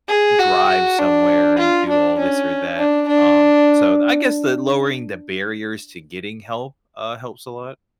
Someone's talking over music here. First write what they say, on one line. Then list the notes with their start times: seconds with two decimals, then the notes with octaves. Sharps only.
drive somewhere and do all this or that. Um, so I the guess the lowering the barriers to getting help, uh, helps a lot.
0.09 G#4
0.39 F#4
0.69 F#4
0.98 D4
1.59 F4
1.89 D4
2.19 C#4
2.79 D4
3.08 D4